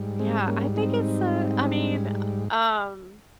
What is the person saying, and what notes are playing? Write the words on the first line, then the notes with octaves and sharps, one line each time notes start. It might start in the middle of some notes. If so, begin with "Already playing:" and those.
Yeah, I think it's, uh I mean, um,
Already playing: G#2 G3
G#3 C4
A#3 C#4
C4 D#4